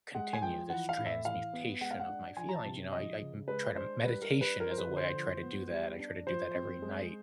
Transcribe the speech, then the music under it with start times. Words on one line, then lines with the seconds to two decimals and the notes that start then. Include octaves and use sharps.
continue this transmutation of my feelings, you know, I I, m try to meditation is a way I try to do that, I try to do that every night,
0.15 G#3 F#5
0.33 G#5
0.41 F3 G5
0.70 E3 F#5
0.89 F5
0.98 A2
1.06 E5
1.25 E3 F5
1.53 B3
1.81 G#3 F#5
1.91 F5
2.00 F#5
2.09 D4
2.37 F3 G#5
2.49 A#5
2.55 A5
2.65 C3
2.92 F3 D#5
3.20 C#3
3.48 G#3 B4
3.76 D4 C5
4.04 G3 B4
4.22 A#4
4.32 D4
4.41 B4
4.60 F3 A#4
4.71 C5
4.78 B4
4.87 D3
4.97 C5
5.16 F3
5.43 B3
5.70 G3
5.99 D4
6.27 F3 C5
6.55 C4
6.82 G#3